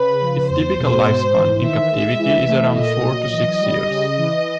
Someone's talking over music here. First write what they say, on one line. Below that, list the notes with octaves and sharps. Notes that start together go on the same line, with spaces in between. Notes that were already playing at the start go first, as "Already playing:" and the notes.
Its typical lifespan in captivity is around four to six years.
Already playing: C#3 B4
F3
E2 C5
B2
G#2
E3
D#3 E5
G#3
E3
A3
A#2 D#5
F#3
E3
G3
C#3
E3